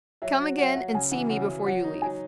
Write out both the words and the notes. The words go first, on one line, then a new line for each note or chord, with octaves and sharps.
Come again and see me before you leave.
F#3 E5
F#4
F#3 F#5
E5
F#3 F#5
F#5
C#3 G#5
E3 F#5
C#3 F#5
C#3
F#3 F#5
D#4
F#3 G#5